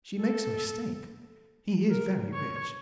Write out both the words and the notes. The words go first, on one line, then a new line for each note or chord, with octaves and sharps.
She makes a mistake; he is very rich.
A4
A#4
C#5